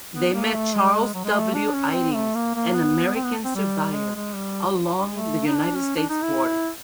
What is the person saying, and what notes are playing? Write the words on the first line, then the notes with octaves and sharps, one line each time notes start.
They met Charles W. Iddings, an American surveyor, along the United States border.
B3
A#3
A3
G#3
F#3
G#3
A3
D4
C#4
C4
A3
A#3
A#3
B3
C4
B3
C4
G3
G#3
G#3
G3
A3
D#4
D4
C#4
D4
D#4
E4